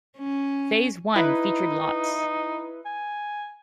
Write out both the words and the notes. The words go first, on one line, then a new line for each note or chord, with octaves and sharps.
Phase one featured lots.
C#4
D#4 E4 B4
G#5